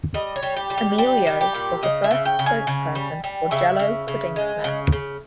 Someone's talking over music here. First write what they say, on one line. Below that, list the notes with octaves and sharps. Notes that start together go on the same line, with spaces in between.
Amelio was the first spokesperson for Jell-O Pudding Snacks.
G3 D#5
C#5
G3
G4
G3
G4
G3 G4
G3
G4
A#2
C#3 D#5
E5
C#3
G5
C#3
G#5
C#3
G3
G3
C#3 E5
C#3
C#3
G#3
C#3
C#3